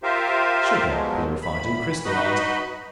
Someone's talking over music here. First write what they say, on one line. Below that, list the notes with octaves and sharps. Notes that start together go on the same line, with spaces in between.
Sugar purified and crystallized.
F4 G4 A#4 C5 E5 F5
B2 F3 F#3 G#3
D2 B5
D#4 F#4 B4 D#5 B5